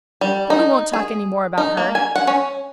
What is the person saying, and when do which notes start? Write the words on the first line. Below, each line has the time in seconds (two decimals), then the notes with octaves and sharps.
But we won't talk any more about her.
0.21 G3
0.50 D#4
0.93 G#4
1.58 D#4
1.77 A#3
1.95 G#5
2.16 F#5
2.27 C#4